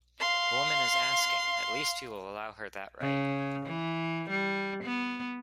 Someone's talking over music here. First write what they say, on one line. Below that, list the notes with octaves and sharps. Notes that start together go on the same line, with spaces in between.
A woman is asking: at least you will allow her that right.
F5 C6
C#3
E3
G3
B3